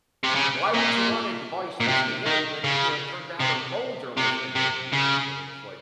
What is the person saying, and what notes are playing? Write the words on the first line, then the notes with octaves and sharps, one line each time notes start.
why would you want a device listening in? And then, you know, it turns out our phones are listening in to us, and it's like
C3
C#3
A#2
A#2
C3
D#3
C#3
C3
C3
C3
C#3